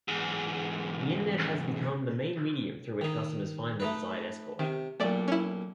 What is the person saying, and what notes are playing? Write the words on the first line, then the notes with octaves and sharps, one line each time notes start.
The internet has become the main medium through which customers find their desired escort.
E2 G#2
D#3 D#4
A3 D#4 B4
C3 D#3
B1 A#2 A3 D5
C#4 E4